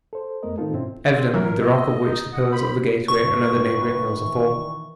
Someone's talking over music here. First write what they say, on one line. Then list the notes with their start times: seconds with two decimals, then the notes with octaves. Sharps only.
Evidently the rock of which the pillars of the Gateway and other neighbouring hills are formed.
0.13 A4 C5
0.43 F2 G#3 A3 B3 A#4 D#5
0.58 A2 D#3 C4 D#4 F4 A4
0.74 G#2 B2 C4 C#4 E4
1.14 C4
1.34 E3 F#3 A#4 C#5
1.61 D#5 E6
2.04 D#4
2.33 D#5 F#5
2.52 C5 B5
3.08 G1 D2 B4 C#6
4.17 D#3 E3